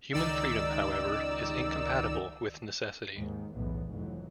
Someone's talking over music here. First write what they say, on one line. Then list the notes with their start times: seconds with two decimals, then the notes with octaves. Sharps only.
Human freedom, however, is incompatible with necessity.
0.13 C#2 D#3 D#4 D5 E6
3.15 D#2 G#2 D#3
3.54 B1 E2 A2 E3 B3
3.90 F1 F2 G#2 E3 F#3